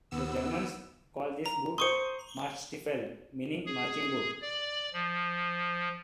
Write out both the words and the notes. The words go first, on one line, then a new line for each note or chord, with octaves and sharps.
The Germans call this boot "Marschstiefel", meaning "marching boot".
D#2 B3 E6
A#5
C5 C6 C#6 D#6 C#7
G#4
D5
F3